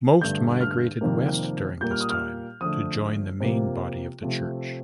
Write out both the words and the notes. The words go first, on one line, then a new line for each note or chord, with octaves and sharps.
Most migrated west during this time to join the main body of the church.
G2 D3 A3 G6
F6
F2 C3 D#3 G3 A#3
A#2 G3 A#3 G6
F6
D#6
F6
F2 D3 A3 D#6
C3 F3 A#3
C3 F3 A3